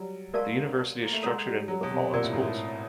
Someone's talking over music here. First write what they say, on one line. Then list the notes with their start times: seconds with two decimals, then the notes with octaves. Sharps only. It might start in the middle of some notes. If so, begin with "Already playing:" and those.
The university is structured into the following schools.
Already playing: F#3 G3
0.33 G#3 A#4 D5 F5 A5 C#6
1.02 A#3
1.13 A3
1.23 G#3 A4 C#5 F#5 A#5
1.45 G3
1.68 F#3
1.83 B2
1.90 C3
2.13 A#2 A#4 D5 F#5 A#5
2.24 A2
2.33 G#2
2.42 A2